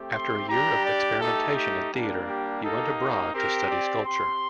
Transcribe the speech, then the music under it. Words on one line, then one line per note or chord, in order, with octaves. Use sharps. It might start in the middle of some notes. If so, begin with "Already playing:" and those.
After a year of experimention in theatre, he went abroad to study sculpture.
Already playing: A3 C4 G4
C6
G3 D4 G4 A#5
D5
A3 D#4 G4 A4
G4
G3 A#3 D4 G4
G4
A#3 D#4 G4 A4
C4 G4 A#4
D5
C4 G4 C6